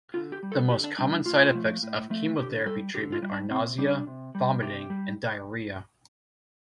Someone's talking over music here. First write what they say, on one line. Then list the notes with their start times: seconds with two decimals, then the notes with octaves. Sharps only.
The most common side-effects of chemotherapy treatment are nausea, vomiting and diarrhea.
0.14 D3 F4
0.32 G4
0.43 G3
0.52 A4
0.70 D3 G4
0.84 D4
0.98 G3 D4
1.12 D4
1.26 A2 F4
1.55 F3 A3
1.83 A2
2.10 F3 A3
2.38 D3 G4
2.66 G3 A4
2.94 D3 G4
3.12 F4
3.22 G3
3.32 D4
3.51 C3 C4
3.78 G3 D4
4.07 C3
4.35 G3
4.62 C3 G4
4.90 G3